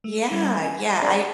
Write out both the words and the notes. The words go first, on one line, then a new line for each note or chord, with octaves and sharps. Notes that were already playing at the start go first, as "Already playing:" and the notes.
Yeah, yeah, I
A3
G3 C#4
G#5
C4 D4 G#4 C5 D5 C7